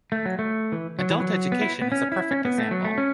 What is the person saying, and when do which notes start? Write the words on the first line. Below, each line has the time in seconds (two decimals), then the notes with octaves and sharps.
'Adult Education' is a perfect example.
0.12 A3
0.26 F#3
0.39 A3
0.72 E3
0.99 F#3
1.10 E3
1.20 F#3
1.52 B3
1.61 E4
1.82 B3
1.92 C#4
2.12 E4
2.31 C#4
2.45 B3
2.58 A3
2.71 F#3
2.85 A3
2.98 C#4